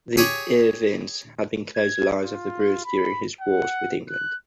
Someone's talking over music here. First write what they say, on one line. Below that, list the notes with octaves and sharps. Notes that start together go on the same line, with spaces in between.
The Irvines had been close allies of the Bruce during his wars with England.
G4 G#4 C#5
G#6
F4
B5
F#5
F#6